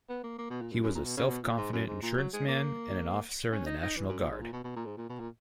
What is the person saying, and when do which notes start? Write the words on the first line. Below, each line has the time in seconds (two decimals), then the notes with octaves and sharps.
He was a self-confident insurance man and an officer in the National Guard.
0.09 B3
0.24 A#3
0.39 A#3
0.50 B2
0.62 A#2
0.72 F#2
0.84 F#2
0.95 A#2
1.05 B2
1.18 C#3
1.28 B2
1.44 A#2
1.58 G#2
1.73 F#2
1.87 G#2
2.03 A#2
2.18 F#3
2.33 G#3
2.48 A#3
3.52 C#4
3.67 D#4
3.83 D#4
3.97 E3
4.09 F#2
4.19 A#2
4.31 G#2
4.41 A#2
4.53 B2
4.64 B2
4.76 A#2
4.86 G#2
4.98 A#2
5.09 B2
5.20 A#2